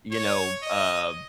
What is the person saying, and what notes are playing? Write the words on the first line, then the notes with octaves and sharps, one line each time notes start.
you know, uh
C#5
D#5